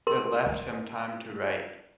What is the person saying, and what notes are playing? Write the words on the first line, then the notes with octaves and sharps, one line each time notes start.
It left him time to write.
A#4 C6